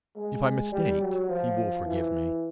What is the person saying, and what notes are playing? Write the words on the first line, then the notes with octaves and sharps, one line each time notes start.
If I mistake, he will forgive me.
G#3
G3
F#3
F3
E3